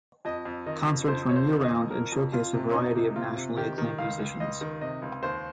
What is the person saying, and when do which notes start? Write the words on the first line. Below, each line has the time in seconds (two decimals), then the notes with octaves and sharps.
Concerts run year round and showcase a variety of nationally acclaimed musicians.
0.25 F2 D#5
0.45 F2
0.66 D#3 D#5
0.87 F2
1.08 F2 C5
1.29 F2 C#5
1.36 C5
1.50 D#3
1.64 D#5
1.71 F2
1.91 F2 A#4
2.12 F2
2.32 F2 F4
2.54 C3
2.70 C#4
2.74 F2 D#4
2.95 C3
3.16 C3 F4
3.36 C3
3.57 D#3 G4
3.78 D#3
3.98 C#2 F5
4.19 C#2
4.40 C#2 D#5
4.61 D#3
4.81 C3 D#5
5.02 C#2
5.23 D#2 C5